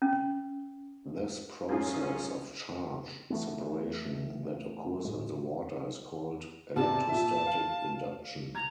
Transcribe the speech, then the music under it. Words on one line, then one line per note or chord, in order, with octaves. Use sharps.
This process of charge separation that occurs in the water is called "electrostatic induction".
C#4
F#2 C#4 F4 G#4
E3 A3 B3
A2 G#3
C3 G4 D5 A5
A#2 E5
F5
A#5 G#6